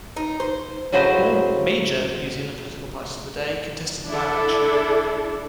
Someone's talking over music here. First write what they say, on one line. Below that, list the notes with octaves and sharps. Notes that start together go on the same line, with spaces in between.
All "major" New Zealand political parties of the day contested the by-election.
D#4
C5
A2 C#3 F#3 B4 C5 D#5
D4 E4 A4